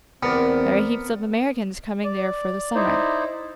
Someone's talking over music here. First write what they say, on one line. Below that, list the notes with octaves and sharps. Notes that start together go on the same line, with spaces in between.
There are heaps of Americans come there for the summer.
E2 B3 C4 A#4 D5
D5
D#4 E4 C5 D5